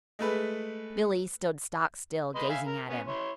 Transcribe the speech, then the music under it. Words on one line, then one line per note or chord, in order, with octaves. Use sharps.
Billie stood stock still, gazing at him.
G#3 A3 B4
B4 D#5 C6
E5 F5 G#5
A#4
B3 C#4
E4 C#5 C6